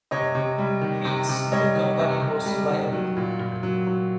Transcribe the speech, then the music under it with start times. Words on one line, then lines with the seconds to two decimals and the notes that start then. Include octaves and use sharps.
Hence, the company was liable.
0.11 C3 C#5 D#5
0.35 C3
0.58 G3
0.81 D#3
1.05 C3
1.29 C3
1.52 G3 C#5 D#5
1.75 D#3
1.99 C3
2.22 C3
2.46 G3
2.69 D#3
2.92 F#3
3.17 A#2
3.40 A#2
3.63 F#3
3.87 F#3